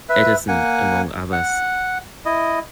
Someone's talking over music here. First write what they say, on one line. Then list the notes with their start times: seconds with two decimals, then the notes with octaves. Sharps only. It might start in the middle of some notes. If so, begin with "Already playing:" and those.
Eddison, among others.
0.09 B4 E5
0.48 A#3 F#5 G#5
1.32 F#5
2.25 E4 D#5